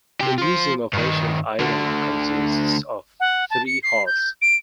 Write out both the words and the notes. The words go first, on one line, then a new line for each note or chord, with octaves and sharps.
The Museum of Ancient Iran consists of three halls.
C3 G4
F4 C5
G2 D#3
D2 D3
F#5
A5
C#7
C7
G6
D7